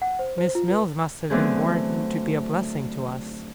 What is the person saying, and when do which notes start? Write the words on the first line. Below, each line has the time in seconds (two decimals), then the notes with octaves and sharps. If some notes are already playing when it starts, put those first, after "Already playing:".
Miss Mills must have been born to be a blessing to us.
0.02 F#5
0.19 C5
0.38 C5
0.55 F4
0.71 B4
1.30 D3 F#3 A3 B3 C4 G#4